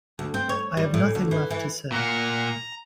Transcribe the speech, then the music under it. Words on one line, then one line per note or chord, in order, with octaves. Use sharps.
I have nothing left to say.
D2
C4
C#5
G3
A2
D2
E3
E3
A#2 A#3 F#5 A#5